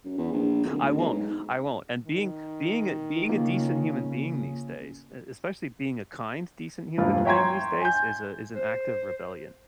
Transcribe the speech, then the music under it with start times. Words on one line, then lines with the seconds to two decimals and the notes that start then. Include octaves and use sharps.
I won't. I won't. And being being a being a decent human being these days, e especially being a kind decent human being these days is a is an act of rebellion.
0.05 F#2
0.18 E2
0.33 A#1
0.64 D1
0.82 D2
0.98 B1
1.11 G#2
2.04 D#3
3.30 C#3 A#3 C#4 F4
6.98 E1 G2 F3 A#3 E4 F4
7.25 C#5 E5 G5 A#5 C6 G#6
7.81 G#5 G6
8.56 C5